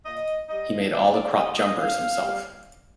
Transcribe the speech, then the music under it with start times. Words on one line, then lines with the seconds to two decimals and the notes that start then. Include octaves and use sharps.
He made all the cropped jumpers himself.
0.05 A#2 D#5
0.49 G3 D#5
0.92 A#2 D5
1.14 D5
1.35 G3 D#5
1.57 D#5
1.79 D3 F5
2.23 G3